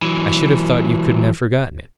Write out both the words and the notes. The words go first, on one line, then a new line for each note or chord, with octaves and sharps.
"I should have thought you couldn't have forgotten it?"
E3 F#3